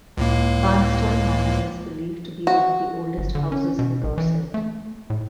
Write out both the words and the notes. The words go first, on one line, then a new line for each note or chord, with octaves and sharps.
Barnston Manor is believed to be one of the oldest houses in Dorset.
C#2 A2 A#3
F#4
G1
D3
C#4
B2
A#1
E3
A3
A2